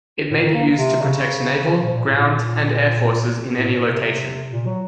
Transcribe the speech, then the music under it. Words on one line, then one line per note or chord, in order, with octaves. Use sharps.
It may be used to protect naval, ground, and air forces in any location.
A2
C#3
D#3
A#3
C3
C#3
D#3
F3
A#2
A#2
A2
A#2
A2
A#2
C3
A#2
F#3